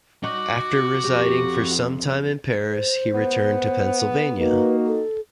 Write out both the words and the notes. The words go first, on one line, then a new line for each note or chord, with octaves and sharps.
After residing for some time in Paris, he returned to Pennsylvania.
D#4 F#4 D6
F2 G4
C5
B3
A#3 D#4 F#4 B4
A4